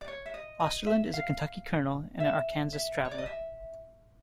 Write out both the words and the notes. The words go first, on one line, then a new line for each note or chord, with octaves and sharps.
Osterlind is a Kentucky colonel and an Arkansas traveler.
D5
C#5
E5
D#5
D#5
E5
E5
F5
E5
E5
C#5
D5
D#5
E5